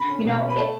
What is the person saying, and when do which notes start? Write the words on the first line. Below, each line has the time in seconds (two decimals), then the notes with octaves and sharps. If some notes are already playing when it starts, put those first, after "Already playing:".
you know, i
Already playing: D3 B5
0.10 C#4
0.25 B2
0.41 C#4
0.50 B5
0.57 A3 A5